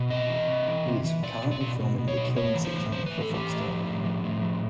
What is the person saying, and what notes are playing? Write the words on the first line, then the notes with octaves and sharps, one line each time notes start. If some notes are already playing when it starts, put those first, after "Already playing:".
He is currently filming The Killing Season for Foxtel.
Already playing: B2
C3 D#5
E3
C3
E3
C3
E3
B2 D5
B2
D5
B2
B2
B2
C#5
B2
A2 C#5
E3
C5
A2
E3 C5
B4
A2
A4
E3 G4
A2
F3
A2
F3
A2
F3